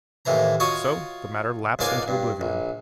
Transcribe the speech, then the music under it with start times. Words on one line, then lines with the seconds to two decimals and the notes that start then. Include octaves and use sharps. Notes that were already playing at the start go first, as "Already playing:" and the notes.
So the matter lapsed into oblivion.
0.25 D#2 A2 E3 C5 A#5
0.60 F4 F#4 C#5 D#5 A#5 C#6
1.79 C#2 G#2 A#3 D5 F5 G#5
2.08 G2
2.41 A#1